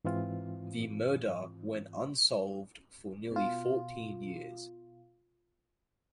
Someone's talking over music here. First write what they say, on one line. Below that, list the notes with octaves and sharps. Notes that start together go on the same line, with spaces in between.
The murder went unsolved for nearly fourteen years.
G#2 E3 C4 F4
B2 F4